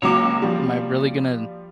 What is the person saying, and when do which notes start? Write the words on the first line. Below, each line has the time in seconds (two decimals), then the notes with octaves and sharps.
am I really gonna
0.02 C#2 F#3 A#3 F#4 C#5 D6
0.42 F3 G3